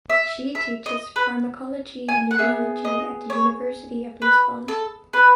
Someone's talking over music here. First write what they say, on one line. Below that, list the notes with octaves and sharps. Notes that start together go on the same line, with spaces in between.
She teaches pharmacology and neurology at the University of Lisbon.
E5
E5
D#5
B4
G#5
F#5
B3 D#4 G#4 E5
D#5
C#5
B4
A4
B4